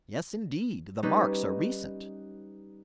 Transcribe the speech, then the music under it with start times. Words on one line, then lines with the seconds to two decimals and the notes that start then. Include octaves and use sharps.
"Yes, indeed, the marks are recent."
1.03 G3 C#4 D#4 B4